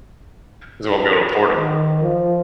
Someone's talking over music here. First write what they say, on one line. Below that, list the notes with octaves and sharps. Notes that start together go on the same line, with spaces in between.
'cause they won't be able to afford 'em.
D#3
F3